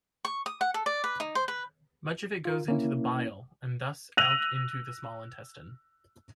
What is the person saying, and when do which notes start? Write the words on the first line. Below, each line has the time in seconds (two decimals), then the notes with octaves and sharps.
Much of it goes into the bile and thus out into the small intestine.
0.25 C#6
0.46 D#6
0.61 F#5
0.74 A4
0.86 D5
1.04 B4
1.20 D#4
1.35 C5
1.48 B4
2.45 F4 A#4
2.68 A#3 C#4 E4
4.17 E6 F#6 A#6 D#7 F7 F#7